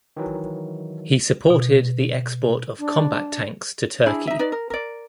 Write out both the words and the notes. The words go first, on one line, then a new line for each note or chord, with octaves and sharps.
He supported the export of combat tanks to Turkey.
D#3 E3 F#3
B2
D4
D4 E4 G#4 B5
D#4 E5
D#4 B4 D5
A#4
A#4 D5